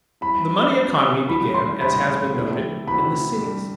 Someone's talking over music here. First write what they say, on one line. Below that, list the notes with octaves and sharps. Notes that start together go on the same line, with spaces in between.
The money economy began, as has been noted, in the cities.
G3 C4 E4 B5
F#3 B3 D4
E3 G3 D4 F#4 B5
C6
A2 E3 G3 D4 G4 B5
D3 A3 C4 E4 G4
C3 E3 A3 C4 F#4 B5
D3 G3 D4